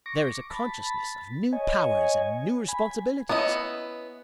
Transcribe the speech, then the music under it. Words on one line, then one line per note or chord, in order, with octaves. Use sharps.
There is a consciousness of new powers and new responsibilities.
C#6 D6 A#6
A5 B5
C#5 D#5 G#5
G#5 B5
B3 C#4 E4 D#5